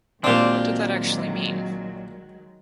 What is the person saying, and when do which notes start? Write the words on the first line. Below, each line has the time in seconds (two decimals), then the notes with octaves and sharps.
What did that actually mean?
0.24 A#2 D#3 F#3 G#3 C4 D4 G4